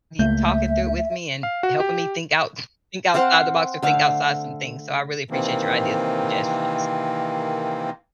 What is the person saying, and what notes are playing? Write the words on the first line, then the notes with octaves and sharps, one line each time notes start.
me talking through it with me and helping me think out think outside the box or think outside some things. So, I really appreciate your ideas and suggestions.
C#2 A3 A#3 E5 G6
F5
F#4
G4
C4 C5 F5 F#5
D3 A3 F5
C3 D#3 E3 A#3 C4